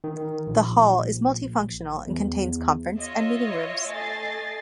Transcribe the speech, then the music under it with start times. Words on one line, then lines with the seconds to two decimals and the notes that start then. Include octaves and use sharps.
The hall is multifunctional and contains conference and meeting rooms.
0.04 D#3
0.47 A#1
2.07 E2
2.98 F4 C#5 D#5 E5
3.90 A3 D#5 G#5 A6 C7